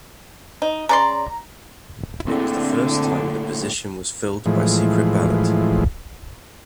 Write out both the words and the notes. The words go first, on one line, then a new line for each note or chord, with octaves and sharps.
It was the first time the position was filled by secret ballot.
D#4
C#3 D5 A#5 C6
A#2 D3 A3 C4 E4 G#4 A4
A2 E3 F3 G#3